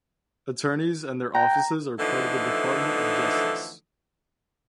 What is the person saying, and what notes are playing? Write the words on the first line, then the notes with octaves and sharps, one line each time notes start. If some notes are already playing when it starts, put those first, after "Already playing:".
Attorneys and their offices are part of the Department of Justice.
G5 A#5
D3 E3 F3 A3 D#4